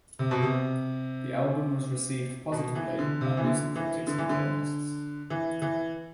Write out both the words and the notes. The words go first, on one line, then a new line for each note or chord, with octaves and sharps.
The album was received positively by music critics and journalists.
C3
B2
C3
B2
E3
D3
C3
E3
D3
E3
D3
E3
D3
E3
E3